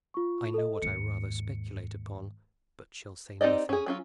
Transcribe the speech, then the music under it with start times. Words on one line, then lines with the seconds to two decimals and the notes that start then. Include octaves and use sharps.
I know what I rather speculate upon, but shall say nothing.
0.14 F4 C#6
0.54 A4 D#5
0.82 D#2 G#2 C#7
3.41 C4 D#4 G4 D5 D#5
3.69 C#4 G#4
3.86 F#3 C#4 F4